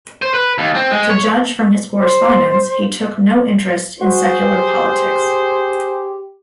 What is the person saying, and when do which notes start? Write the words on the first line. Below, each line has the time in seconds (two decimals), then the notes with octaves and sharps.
To judge from his correspondence he took no interest in secular politics.
0.22 C5
0.34 B4
0.58 D#2
0.75 C4
0.91 G#3
1.10 C#5
1.98 C5
4.01 F#4 G#4 C5
4.46 G4